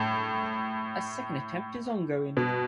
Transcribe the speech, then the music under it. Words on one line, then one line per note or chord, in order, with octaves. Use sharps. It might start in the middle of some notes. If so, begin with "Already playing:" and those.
A second attempt is ongoing.
Already playing: A2
B2